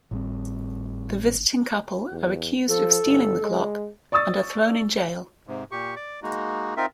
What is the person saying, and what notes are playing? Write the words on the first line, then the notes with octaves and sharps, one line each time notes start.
The visiting couple are accused of stealing the clock and are thrown in jail.
G#1 A2 G3 C4
E2
F3 A4
G1
G#3
D5 C#6 D#6 E6 A6
G#2 C3
A#2 G4 C#6
D5 D6
G#3 A#3 D#4 F#4
C4 D#4 F4 A#4 E5